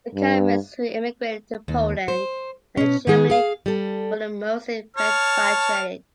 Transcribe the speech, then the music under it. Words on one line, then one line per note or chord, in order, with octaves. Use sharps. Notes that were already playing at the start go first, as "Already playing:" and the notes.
The Kalmyks who emigrated to Poland and Germany were mostly repatriated.
G2
D#2
C5
B2 C#4
D#3 G#3 G#4
G#4 F5
G3 A4
C#5 A5 F6